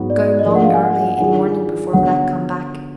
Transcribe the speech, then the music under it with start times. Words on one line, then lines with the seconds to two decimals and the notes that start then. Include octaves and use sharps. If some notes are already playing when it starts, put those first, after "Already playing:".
Go long early in morning before Black come back.
Already playing: G#2 F#3 B3 D#4 F#4
0.10 D5
0.39 D#5
0.46 F3 A#3 D4 G#4 D5
0.55 F#5
0.64 F5
0.74 G#5
0.83 F#5
1.15 F#5
1.19 D#3 G#3 D4 F4 G#4 G#5
1.93 D3 F#3 B3 F#5